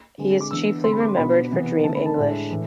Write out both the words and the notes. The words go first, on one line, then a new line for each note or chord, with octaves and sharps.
He is chiefly remembered for Dream English.
D3 G#3 C4
D6
E3 B3 D4 E6
D3 G#3 C4 C6
B5
D6
C6
B2 B3 D4 B5
C3 E3 B3
D3 A3 C4 A5
B5
A5
A2 G#3 D4
A2 E3